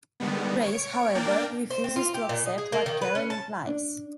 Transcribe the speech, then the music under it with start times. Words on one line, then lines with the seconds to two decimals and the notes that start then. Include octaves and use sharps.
Grace, however, refuses to accept what Karen implies.
0.20 D3 D#3 G3 G#3 B3
0.62 C#5 D7
1.15 A#3 D4 A#4 D5 G5
1.70 C5
1.84 C4
1.96 F4
2.14 G4
2.29 A#2
2.46 D#5
2.58 G#4
2.72 A#3
2.86 D#3
3.02 B4
3.15 C#4
3.30 A5
3.67 D4